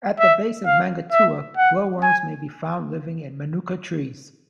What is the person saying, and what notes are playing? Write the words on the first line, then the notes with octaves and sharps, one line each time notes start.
At the base of Maungatua glowworms may be found living in manuka trees.
E5
F5
E5
F#5
G#5